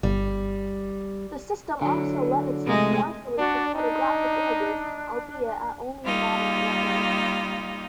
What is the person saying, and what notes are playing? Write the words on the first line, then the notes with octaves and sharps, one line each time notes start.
The system also lent itself naturally to photographic images, albeit at only moderate resolution.
G1 G3
D3 F#3
C3 G#3 A3 D#5
D4 F#4 D5
D4 D#4
G3 A#3 D#4 F4